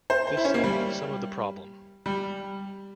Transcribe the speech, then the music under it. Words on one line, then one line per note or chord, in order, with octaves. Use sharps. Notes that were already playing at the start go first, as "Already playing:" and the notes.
This solved some of the problem.
C5
C5
E4
C#4
A#3
G3
G3